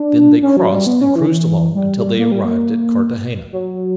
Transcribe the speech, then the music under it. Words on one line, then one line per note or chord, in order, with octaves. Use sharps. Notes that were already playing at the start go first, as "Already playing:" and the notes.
Then they crossed and cruised along until they arrived at Carthagena.
Already playing: D4
C#4
F#3
G3
B3
C#4
E3
G3
G3
A#3
G3
A#3
F#3